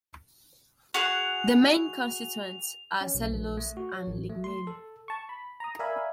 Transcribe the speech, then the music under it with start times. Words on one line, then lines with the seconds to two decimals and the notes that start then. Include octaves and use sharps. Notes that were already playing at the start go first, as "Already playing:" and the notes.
Their main constituents are cellulose and lignin.
0.94 F#4 G#4 F#5 F7
3.01 C#4
3.15 B1
3.33 A#1
3.57 A3
3.77 F#4
3.92 C#5
4.07 A1
4.29 A3
4.44 C6
4.67 A4
5.08 A5 C#6
5.29 B5
5.60 A#5 D#6
5.79 A#4 D5 E5 F5 G#5 B5